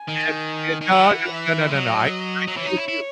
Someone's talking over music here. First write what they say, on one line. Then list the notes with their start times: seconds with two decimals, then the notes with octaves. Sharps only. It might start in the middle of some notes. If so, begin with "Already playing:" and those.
That's it. No, no, no, no, no. I I gave you
Already playing: G#5
0.08 D#3
0.81 D#3
0.91 E3 F#5
1.33 E5
1.69 G#3
1.74 F#3 D#5
2.48 F#3
2.57 E3 C#5
2.67 D#4
2.78 E4
2.88 E4